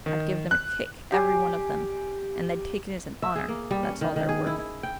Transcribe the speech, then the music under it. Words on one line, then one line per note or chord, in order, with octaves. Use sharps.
"I'd give them a kick, every one of them, and they'd take it as an honor--that's all they're worth!"
D#3
F#6
G4 G#5 C6
E5
G#4
A#3
G3
C#4
D#3
D#3
G#4
E4
E4
G5